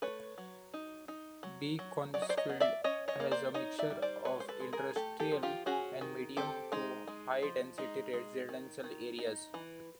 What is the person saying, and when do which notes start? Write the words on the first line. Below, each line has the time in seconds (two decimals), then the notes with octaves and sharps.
Beaconsfield has a mixture of industrial and medium to high density residential areas.
0.02 A3 B4 C#5
0.38 F#3
0.74 D#4
1.08 D#4
1.43 F#3
1.79 F#3
2.14 F#3 D5
2.22 D#5
2.29 C5 D5
2.37 C#5 D#5
2.49 B3
2.60 D5 E5
2.84 C#4 C#5 D#5
3.08 C#5 D#5
3.20 A#3
3.31 C5 D5
3.54 D#4 C#5 D#5
3.79 D5 E5
3.90 G3
4.02 C5 D5
4.25 G#3 B4 C#5
4.40 C5
4.48 A4 B4
4.60 G#3
4.73 G#4 A#4
4.96 A3 G4 A4
5.20 G4 A4
5.32 F3
5.43 F4 G4
5.66 C#4 F#4 G#4
6.01 D#3
6.37 C4 G4 A4
6.72 G#3 D#4
7.07 G#3
7.42 F3
7.78 G#3 D#4
8.13 G#3
8.49 D#3
8.84 D#3
9.18 D#4
9.54 E3